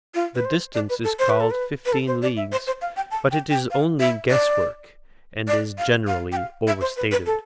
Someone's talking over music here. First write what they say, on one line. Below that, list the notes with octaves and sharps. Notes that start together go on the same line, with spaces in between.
The distance is called fifteen leagues; but it is only guess-work, and is generally overstated.
F4
B4
C5
D5
B4
A4
C5
B4
A4
B4
B4
A4
C5
D5
E5
C5
C5
F5
G5
A5
G5
G5
F5
E5
D5
D5
F5
F5
G5
F5
E5
C5
B4
B4
A4